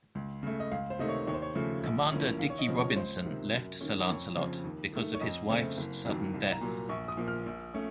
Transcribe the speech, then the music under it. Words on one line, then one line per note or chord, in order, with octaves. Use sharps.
Commander Dickie Robinson left "Sir Lancelot" because of his wife's sudden death.
C#2
C#3 A3
D#5
C#2 F5
C5
C3 D#3 A3 D#5
C#5
D#2 C#5
C5
C#5
C#3 F3 A3
A#1
A2 F3 A#3 C#4
D#2 F5
C#5
D#5
C#3 F3 C4
C#5
C#2 C5
C3 D#3
F#2
D#3 A#3 C#4
F2 C#5
C#3 F3 C4
D#2
D#3 A3
C#5
F2 D#5
C#3 A3 C4
F#1
F2 D#3 F#3 A#3
C2
A#5
A#2 F#3
A#1 C#6
D#6
A#2 F3
F6
A#1
A3 C#4